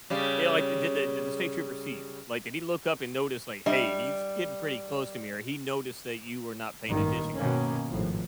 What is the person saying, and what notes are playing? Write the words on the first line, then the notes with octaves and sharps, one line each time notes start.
you know, like, did the did the state trooper see you? Like, did he look up and notice like, "Hey, he's getting pretty close to me" or he noticed that you were not paying attention, kind of thing.
C#3 G3
G3 D4 D#5 E5
A1 G2 A#2 D#3
B2 D#3 A#3 C#4
G#1 A2 F3